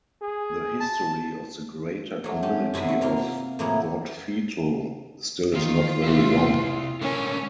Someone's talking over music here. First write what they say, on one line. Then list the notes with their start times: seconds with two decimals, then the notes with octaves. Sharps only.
The history of the greater community of Dautphetal still is not very long.
0.22 G#4
0.80 A5
2.24 F#3 A3
2.43 C4 C#4 G4
2.74 G2 C3 B3 E4
2.88 F#4
3.01 C3 A#3 F4 F5
3.59 A2 F3 A#3 E4 G#4 F#5
5.54 D#3 F4
6.04 C3 E4
7.01 D3 G#3 C#4 A#4